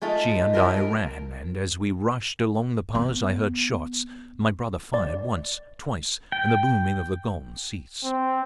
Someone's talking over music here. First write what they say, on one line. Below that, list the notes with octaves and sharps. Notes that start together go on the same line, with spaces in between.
She and I ran, and as we rushed along the path I heard shots. My brother fired--once--twice--and the booming of the gong ceased.
G#3 A3 D#4 F4
F3 F#3 E4 F4 A#4
A#4
B3
D5
G5
C4